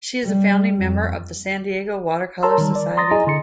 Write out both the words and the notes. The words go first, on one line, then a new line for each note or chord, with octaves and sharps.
She is a founding member of the San Diego Watercolor Society.
G3
F2
A#4 C#5 A5 A#5 C6 E6
D#3 G3
D5
A#5 C6 D#6 A6 A#6
E4 G#4 D#5 G#5 A#5
D3 C6 C#7